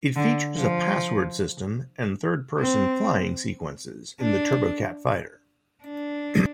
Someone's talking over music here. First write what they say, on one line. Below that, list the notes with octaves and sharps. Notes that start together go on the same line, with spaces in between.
It features a password system and third-person flying sequences in the Turbokat Fighter.
D3
F3
C4
D4
D4